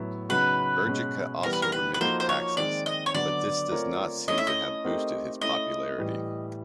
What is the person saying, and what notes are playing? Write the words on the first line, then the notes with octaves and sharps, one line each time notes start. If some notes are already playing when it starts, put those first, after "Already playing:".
Ergica also remitted taxes, but this does not seem to have boosted his popularity.
Already playing: A2 F#3 B3 E4
C#3 F#3 B3 D#4 F#4 B4
B2 G#3 C#4
E3 G3 B3 A#4
B4
A#4
B4
B4
F3 A#3 D#4 F#4 A4 C5
C5
C#5
D#3 G#3 C4 D5
D#5
C#5
D3 F#3 B3 D4 D5
A3 C4 F4 A#4 C#5
A3 C#4 E4 A4 C#5 D#5
E5
D#5
A3 C4 D#4 G4 A#4
A3 C#4 E4 D#5
A2 E3 G3